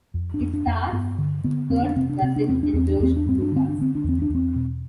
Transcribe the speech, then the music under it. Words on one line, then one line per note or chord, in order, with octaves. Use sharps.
It stars Kurt Russell and Josh Lucas.
F2
D4
F2
D4
F2
G2 B3
D3
D3 B3
F2 C4
D4
C3 C4
D4
C3 C4
D4
E2 C4
D4
E2 C4
D4
E2 C4
D4
G2 C4
D4
D3 C4
D4
D3 C4
D4
E2 C4
D4
E2
C4
B2